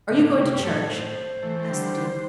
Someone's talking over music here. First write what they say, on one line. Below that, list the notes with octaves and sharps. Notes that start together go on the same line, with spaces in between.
"Are you going to church?" asked the Duke.
A2 D3 E4
C3 G4
G2 G4
A2 A4
A2 C5
E3 A3
A3
D3 G3